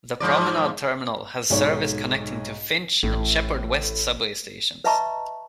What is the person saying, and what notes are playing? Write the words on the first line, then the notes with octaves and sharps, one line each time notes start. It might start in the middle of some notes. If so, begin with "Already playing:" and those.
The Promenade Terminal has service connecting to Finch and Sheppard West subway stations.
G#2 F3 D5
B1 G#2 C#5
A1 A2
B4 D#5 E5 A5 A#5 C#6